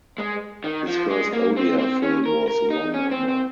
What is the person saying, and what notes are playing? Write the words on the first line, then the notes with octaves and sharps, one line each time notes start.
His first Odia film was "Wrong Number".
G#3
D#3
F3
G#3
A#3
C4
C4
C#4
A#4
A#4
D#4
C#4
C4
C4